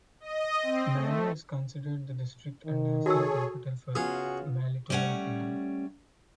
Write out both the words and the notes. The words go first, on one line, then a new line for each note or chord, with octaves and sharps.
Malie is considered the district and national capital for the Malietoa clan.
D#5
C4
A3
D#3
F#4 G#4 A4 C#5 E6
C#3 B3 C#4 F4 F#4 G#4
G3 A3 C#4 C#5 F#5